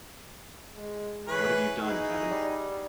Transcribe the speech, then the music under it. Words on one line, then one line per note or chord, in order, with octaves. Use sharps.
What have you done Kevin?
G#3
E3 G#4 B4 C#5
D#4 E4 F#4 G#4
G3